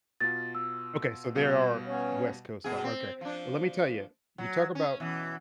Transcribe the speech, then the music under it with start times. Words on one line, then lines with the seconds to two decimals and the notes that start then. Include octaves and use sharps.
Okay, so, there are West Coast time, okay. Lemme tell ya, you talk about
0.20 B2 F4 A6
0.55 E6
1.36 B2 G3 F5
1.87 B3 C#4 C#5
2.64 B2 G#4
2.84 C4
3.21 F3 D4
4.38 F#3
4.75 C#4
5.00 B2 E3